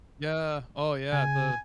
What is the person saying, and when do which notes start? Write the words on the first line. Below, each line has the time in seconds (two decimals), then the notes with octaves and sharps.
Yeah. Oh, yeah. The
1.13 C#3 G#5